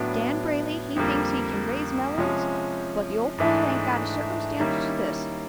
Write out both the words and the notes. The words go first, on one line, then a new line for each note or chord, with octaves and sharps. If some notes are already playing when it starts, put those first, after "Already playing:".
Dan Brayley he thinks he kin raise mellings, but the ol' fool ain't got a circumstance to this.
Already playing: A2 F#3 B3 D4
F2 D3 G3 A#3
C3 F3 G#3 C#4
G#2 E3 A3 D4
D#3 G3 A#3 C#4 E4